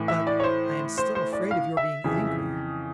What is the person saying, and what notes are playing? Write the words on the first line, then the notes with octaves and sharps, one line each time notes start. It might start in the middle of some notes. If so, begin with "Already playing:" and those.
"But I am still afraid of your being angry."
Already playing: A2 E3
E5
D5
C#5
C5
C5
C5
D5
F5
E5
F2 C#3 E3